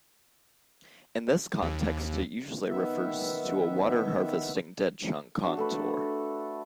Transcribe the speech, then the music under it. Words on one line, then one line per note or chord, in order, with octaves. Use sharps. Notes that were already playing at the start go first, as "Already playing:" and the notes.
In this context it usually refers to a water-harvesting ditch on contour.
D#2
D#3 B3 E5
D4 F#4
A3 A4 B4